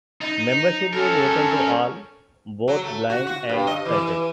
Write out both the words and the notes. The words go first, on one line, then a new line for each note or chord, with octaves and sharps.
Membership is open to all, both blind and sighted.
D#4
C#4 A4 A#4
F#3
A3
F#4
F#4
G2
D#5
E3